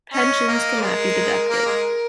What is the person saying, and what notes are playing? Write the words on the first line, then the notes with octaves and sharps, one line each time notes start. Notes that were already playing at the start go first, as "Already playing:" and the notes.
Pensions cannot be deducted.
C#4 D#5
A#3
G#3 A#4
A#3
G#3